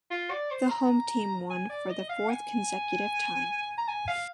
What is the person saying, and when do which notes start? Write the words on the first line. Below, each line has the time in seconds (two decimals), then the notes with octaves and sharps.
The home team won for the fourth consecutive time.
0.11 F4
0.31 D5
0.51 C5
0.71 A#5
1.50 G#5
1.70 D5
1.90 D#5
2.09 F5
2.30 G#5
3.78 A#5
3.88 G#5
4.08 F5